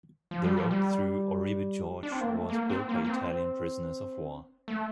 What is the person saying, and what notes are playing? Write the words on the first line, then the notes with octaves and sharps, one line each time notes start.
The road through Oribi Gorge was built by Italian prisoners of war.
F3
G3
F3
G3
D4
C4
A#3
A3
A#3
C4
A#3
A#3
C4
A3